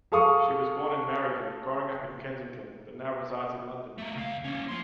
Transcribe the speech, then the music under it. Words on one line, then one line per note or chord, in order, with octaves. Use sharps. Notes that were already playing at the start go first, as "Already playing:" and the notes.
She was born in Maryland, growing up in Kensington, but now resides in London.
G#4 A4 F5 C#6 D#6
A3 A#3
C#2 F5
A#3 C#4
F3 C6